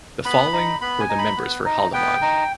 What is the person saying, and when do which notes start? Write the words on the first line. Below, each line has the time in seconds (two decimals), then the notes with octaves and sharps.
The following were the members for Haldimand.
0.25 B3 B5
0.53 D#4
0.81 B3 B5
1.00 G#5
1.09 D#4
1.18 B5
1.37 B3
1.65 D#4
1.93 B3 G5
2.22 D#4